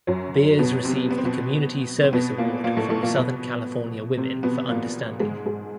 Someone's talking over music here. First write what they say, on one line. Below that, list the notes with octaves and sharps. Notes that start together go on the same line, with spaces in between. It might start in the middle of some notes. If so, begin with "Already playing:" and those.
Beers received the Community Service Award from Southern California Women for Understanding.
F#2 F#3
B2 B3
C3 C4
B3
C4
B2 B3
C4
B2 B3
A#2 A#3
A#2 A#3
A2 A3
A2 A3
A#2 A#3
B2 B3
C3 C4
B2 B3
A#2 A#3
G#2 G#3
G#2 G#3